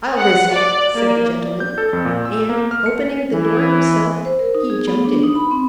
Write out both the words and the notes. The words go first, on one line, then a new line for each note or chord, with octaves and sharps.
"I'll risk it," said the gentleman; and, opening the door himself, he jumped in.
F#5
D5
A#3
D5
G6
A4
F2
A#2
E6
A#3
F6
C#7
E3
C5
A#4
D#4
G#4
B3
D4
D#4
B5
C4